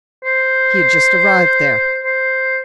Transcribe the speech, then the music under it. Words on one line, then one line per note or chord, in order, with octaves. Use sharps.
He had just arrived there.
C5
C5